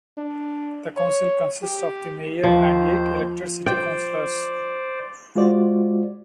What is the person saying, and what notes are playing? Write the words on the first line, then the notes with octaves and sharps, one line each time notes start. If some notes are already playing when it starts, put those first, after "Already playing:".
The council consists of the mayor and eight elected city councillors.
D4
C#5
G4
D#2 F3 C5 G6
C5 D5 G5
G#3 F4 F#4 C5 D5